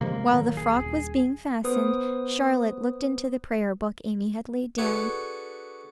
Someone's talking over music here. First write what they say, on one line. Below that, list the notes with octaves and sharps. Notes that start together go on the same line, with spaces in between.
While the frock was being fastened, Charlotte looked into the Prayer-book Amy had laid down.
C3 F3 G#3 A#3
A2 D#3 F#3
A#1 G#4
D#1
B3 B4 C5 D#6
D4 F#4 G#4 A4 B4